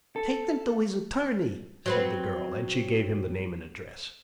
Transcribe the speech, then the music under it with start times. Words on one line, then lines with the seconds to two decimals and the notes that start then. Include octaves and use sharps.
"Take them to his attorney," said the girl, and she gave him the name and address.
0.16 A4
1.86 F#3 C4 B4